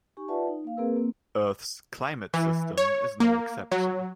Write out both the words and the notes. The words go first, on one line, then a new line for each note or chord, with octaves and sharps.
Earth's climate system is no exception.
D#4 G4 G#5 C#6
F4 B4 D5 E5 F#5 A5
D#4
A#3 F5
A#3 C4 G#4 A#4 B4 E6
A#3 C4
E3
C#5
A#3
F#3